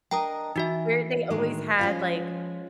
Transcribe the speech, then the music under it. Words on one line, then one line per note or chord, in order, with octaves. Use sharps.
Where they always had, like,
D4 A#4 D#5 G5 A#5 D#6
E3 D#4 F#4 E5
A2 D#3 G#3 D4
F3 G#3 C#4 F4